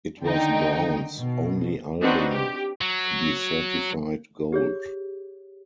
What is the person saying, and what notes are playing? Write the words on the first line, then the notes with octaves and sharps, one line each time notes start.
It was Brown's only album to be certified gold.
D3 D#3 D#4 G5
B2
C4 D4 D#4 F#4 B4 C5
G4
F#3
G4 G#4 C#5